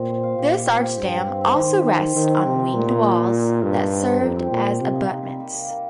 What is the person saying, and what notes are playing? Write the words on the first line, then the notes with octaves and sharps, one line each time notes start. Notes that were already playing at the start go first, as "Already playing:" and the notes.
This arch dam also rests on winged walls that served as abutments.
Already playing: A#2 C4 D#5
C5
F5
A#2 G4
G4
C4
G4
G2 G4
F5
C4
C4
D#3 C5
G4
G4
C5
D#3 C4
C4
C3 A#4
A#4
A#2 A#4
D#4
A#4
A#4
A#4
D#4
G2 D#5
D#5
C4
A#4
F2 G4
C4
A#2 G4
A#4
C3 A#3
D#4
C3 D#4
G3
A#3
A#3
A#4